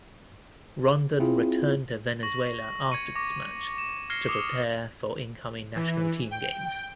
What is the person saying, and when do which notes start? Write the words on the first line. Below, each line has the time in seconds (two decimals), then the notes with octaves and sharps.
Rondon returned to Venezuela after this match to prepare for incoming national team games.
1.20 C4 E4 F4 G#4
2.23 C#6 A#6 F#7
2.92 G#6 C#7 D#7
3.15 C#6 D6 A#6
3.78 E7
4.10 F6 G#6 A#6 C7 C#7 G7
4.29 D6 D#6 C#7 E7 G7
5.76 E3
6.31 G5
6.65 G5